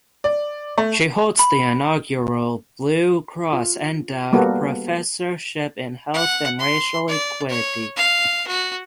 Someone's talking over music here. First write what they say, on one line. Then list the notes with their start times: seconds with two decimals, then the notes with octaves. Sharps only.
She holds the inaugural Blue Cross Endowed Professorship in Health and Racial Equity.
0.24 D5
0.78 A3
1.39 B5
3.53 F4
4.32 G3 A#3 B3 F#4 A4
6.14 F#5
6.59 C6
7.08 D5
7.50 C#5
7.97 F5
8.48 F#4